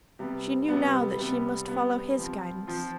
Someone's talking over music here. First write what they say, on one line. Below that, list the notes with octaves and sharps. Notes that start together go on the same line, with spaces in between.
She knew now that she must follow his guidance.
C3 G3 B3
C3 G3 B3
C3 G3 B3
C3 G3 B3
F3 C4 F4
F3 C4 F4